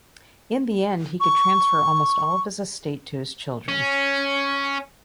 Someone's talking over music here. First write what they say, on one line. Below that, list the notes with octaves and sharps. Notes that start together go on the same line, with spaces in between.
In the end he could transfer almost all of his estate to his children.
C#6
C#4